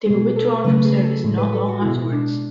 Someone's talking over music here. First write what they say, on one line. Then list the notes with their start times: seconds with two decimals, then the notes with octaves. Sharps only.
They were withdrawn from service not long afterwards.
0.06 B2 G#3 G#4
0.36 A4
0.64 C#3 F#3 A3 B4
0.85 G#4
1.03 A4
1.24 A2 E3 G#3
1.38 B4
1.53 A4
1.68 F#4
1.82 B2 G#3 E4
2.12 D4